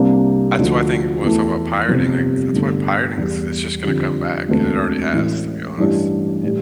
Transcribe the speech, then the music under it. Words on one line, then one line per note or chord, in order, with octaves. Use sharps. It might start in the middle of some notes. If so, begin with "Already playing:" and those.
That's what I think when I'm talking about pirating, like That's why pirating is it's just gonna come back and it already has to be honest, yeah.
Already playing: C2 C3 G3 A#3 D4
D2 D3 F3
E2 E3 A3
G1 F2 C3 G3 C4
G1 G2 D3 A3
E2 E3 G3
F2 D3 G3
E1 D2 D3 A3 C4
A1 A2 E3
A1 G2 E3 G3 D4
A2 E3 G3